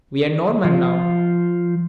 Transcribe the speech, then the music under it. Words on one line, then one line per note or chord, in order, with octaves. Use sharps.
We are Norman now.
F3 F4